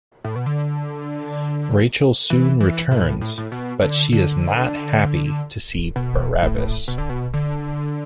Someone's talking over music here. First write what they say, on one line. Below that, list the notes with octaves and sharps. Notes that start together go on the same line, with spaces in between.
Rachel soon returns, but she is not happy to see Barabbas.
A2
B2
D3
E3
E3
A2
A2
A2
B2
D3
D3
B2
A2
B2
D3
B2
D3